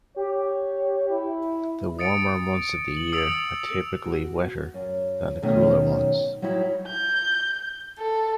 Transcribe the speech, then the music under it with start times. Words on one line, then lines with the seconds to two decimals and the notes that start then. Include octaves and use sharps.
The warmer months of the year are typically wetter than the cooler ones.
0.16 G4 C#5
1.10 E4
1.99 D#6 A6 C#7 D7
2.97 F#7
3.13 D#6 E6 A6 C#7 D7 F7
4.05 F#4
4.74 F#2
5.42 F#2 B2 D#3 A3 C#4
6.42 F#3 G3 D#4 E4 F#4
6.87 G6
7.99 A4